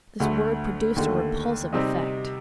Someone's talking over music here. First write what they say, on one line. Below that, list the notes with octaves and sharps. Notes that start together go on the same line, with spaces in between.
This word produced a repulsive effect.
D2 D3 A3
D#2 D3 A3
C3 G3 C4 D#4